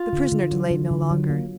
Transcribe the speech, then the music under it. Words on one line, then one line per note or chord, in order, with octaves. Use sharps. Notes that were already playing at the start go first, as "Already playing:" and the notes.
The prisoner delayed no longer.
Already playing: F4
D3
D3
F#3
D3
D3
F#3
A#3